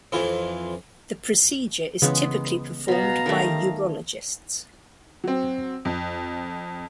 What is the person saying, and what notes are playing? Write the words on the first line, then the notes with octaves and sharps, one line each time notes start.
The procedure is typically performed by urologists.
F2 E3 F4
C#3 E3 G#3 B3
B2 B3 F5 A#5
D#3 G3 A3
F#3 C4
F2